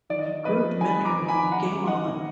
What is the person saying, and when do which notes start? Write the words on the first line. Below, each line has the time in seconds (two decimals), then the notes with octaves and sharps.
Group Mentoring, Game on!
0.10 D#3 D5
0.19 D#5
0.26 D#3 D5
0.45 F2 B4 D#5
0.63 F2
0.81 D#3 G#5 B5
0.99 F2
1.05 A#5 D6
1.17 D#3
1.28 G#5 B5
1.34 D#3
1.52 D#3 F#5 A#5
1.70 F#2
1.87 D#3 D#5 F#5
2.05 D#3